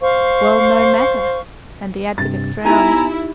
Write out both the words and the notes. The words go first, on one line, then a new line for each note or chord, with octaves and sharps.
"Well, no matter," and the advocate frowned.
C5 F5 C#6
G2 C3 A6
B3 D#4 E4 G4 G#5 A#5